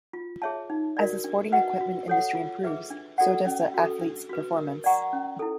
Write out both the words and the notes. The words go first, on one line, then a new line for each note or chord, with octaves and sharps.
As the sporting equipment industry improves, so does the athletes performance.
F4
G#4 C#5 E5 A5
D#4
F#4 A#4 D5
D4
F#4 B4 D#5 F#5
F#4
A4 C#5 F#5
F4
G#4 B4 E5
D4
F#4 A4 D5 F#5
C#4
F#4 A4
D4
F#4 B4
A#4
D5 F#5 A#5 C#6
C#4
E4 A4